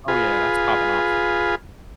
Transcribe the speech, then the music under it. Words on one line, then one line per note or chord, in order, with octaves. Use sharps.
Oh, yeah, that's popping off.
F4 G#4 B4